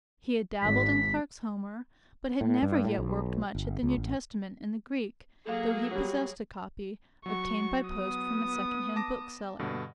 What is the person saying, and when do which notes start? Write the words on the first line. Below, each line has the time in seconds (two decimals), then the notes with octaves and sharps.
He had dabbled in Clarke's Homer, but had never yet worked much at the New Testament in the Greek, though he possessed a copy, obtained by post from a second-hand bookseller.
0.61 G#1 B6
2.41 A2
2.62 G2
2.84 A2
2.98 B1
3.55 G1
3.83 C#2
3.97 A1
5.46 F#3 A#3 G#4 A4 F5
5.91 G3 F#4 C#5
7.26 F#3 F#4 C#6
7.89 B3 D#6
8.96 A5 D6 A#6
9.59 G2 B2 D3